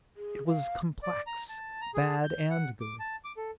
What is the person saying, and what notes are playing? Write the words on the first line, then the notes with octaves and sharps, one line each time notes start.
It was complex; bad and good.
G#4
F5
D5
A#5
A5
A#5
G#4
G6
F#5
D6
A5
D6
A4